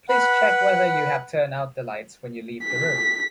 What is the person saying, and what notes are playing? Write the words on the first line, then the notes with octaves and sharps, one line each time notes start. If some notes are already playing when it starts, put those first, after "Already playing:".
Please check whether you have turned out the lights when you leave the room.
B4 F#5 B5
B6